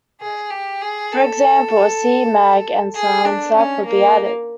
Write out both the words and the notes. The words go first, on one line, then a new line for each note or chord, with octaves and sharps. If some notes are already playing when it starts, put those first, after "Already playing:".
For example, a C-mag and silencer could be added.
G#4
G4
G#4
A4
G#4
D4
C#4
A#3